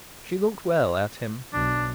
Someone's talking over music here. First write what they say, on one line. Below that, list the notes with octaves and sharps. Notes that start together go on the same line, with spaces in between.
She looked well at him.
B1 D4